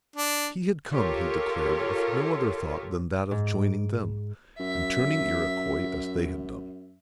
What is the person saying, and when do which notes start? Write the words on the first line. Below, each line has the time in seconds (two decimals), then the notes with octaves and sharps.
He had come, he declared, with no other thought than that of joining them, and turning Iroquois, as they had done.
0.16 D4
0.91 F4 G4 A4 A#4 C#5
3.31 G#2
3.47 D7
4.60 F#2 E5